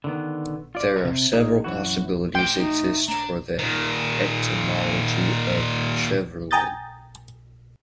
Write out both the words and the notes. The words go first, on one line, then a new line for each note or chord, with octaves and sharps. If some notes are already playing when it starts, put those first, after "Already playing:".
There are several possibilities exist for the etymology of "Treverlen".
D3 D#3 B3
F4 D5
C3
A#3 D#4 G#4
F#2 E3 F#4
A3 G5 C6
D#4
D4 A#5
A#2 D#3
G5 G#5 A#5 D#6 G6 A6